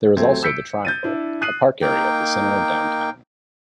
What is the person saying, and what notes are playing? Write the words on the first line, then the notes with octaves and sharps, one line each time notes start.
There is also "The Triangle" a park area at the center of downtown.
D#1 F#3 A3 C4 G#6
E6 G6 B6 C#7 D7
G6 A6 D#7
D4 E4
D#6 F#6 C7 D#7 F#7
A#3 D#4 G5